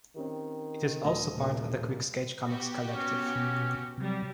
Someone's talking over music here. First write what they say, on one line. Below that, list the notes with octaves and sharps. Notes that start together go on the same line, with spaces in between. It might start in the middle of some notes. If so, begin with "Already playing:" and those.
It is also part of the Quicksketch Comics collective.
D#3 C4 C#4 G4
D#1 A3 D4 F#4 D#5
A#2 C#3
B3 F#4 G4
C#4
B2
C3 F#3 G3